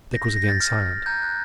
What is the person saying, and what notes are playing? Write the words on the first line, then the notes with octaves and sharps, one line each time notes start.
Dick was again silent.
G6 A#6
A#6
G6
A#6
G6 A6
F6
F6
F6
A#5 G6
F#6